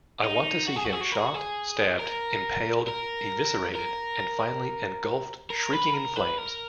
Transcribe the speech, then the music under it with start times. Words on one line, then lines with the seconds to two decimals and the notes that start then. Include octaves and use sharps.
I want to see him shot, stabbed, impaled, eviscerated, and finally engulfed-shrieking-in flames.
0.23 D#4
0.68 F#4
0.76 G#4
0.85 F#4
0.93 G#4
1.01 F#4
1.11 A#4
1.19 G#4
1.26 F#4
1.34 G#4
1.99 A#4
2.88 A#4
3.75 A#4
5.50 A#4
5.72 B4
5.94 A#4
6.16 B4
6.38 A#4